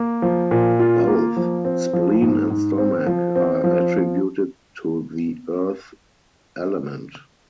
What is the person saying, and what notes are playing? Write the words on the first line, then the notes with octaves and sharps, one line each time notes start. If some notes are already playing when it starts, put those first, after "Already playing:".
Both Spleen and Stomach are attributed to the Earth element.
Already playing: A#3
F3
A#2
F4
A#3
F3
C4
F3
G#2
G#2
C4
F3
C4
F3